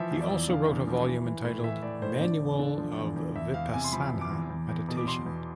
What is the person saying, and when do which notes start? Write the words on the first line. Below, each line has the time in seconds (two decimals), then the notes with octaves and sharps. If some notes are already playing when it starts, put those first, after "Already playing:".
He also wrote a volume entitled "Manual of Vipassana Meditation".
Already playing: E3 F3 E5
0.11 E2 E5
0.21 D5
0.30 E2
0.49 D3 F5
0.68 E2
0.87 F3
1.06 E3
1.25 E3
1.44 A2
1.64 E3 E5
1.83 A2 D5
2.02 A2 C5
2.21 D3 D5
2.40 E2
2.59 D3
2.78 F3
2.98 E2
3.16 E2
3.36 E2 E5
3.54 E2 F5
3.74 C3 G#5
3.84 C6
3.93 F3 B5
4.12 E2
4.21 D6
4.31 E2
4.50 E2
4.69 E2
4.88 B2
4.97 D6
5.07 B2 C6
5.26 E2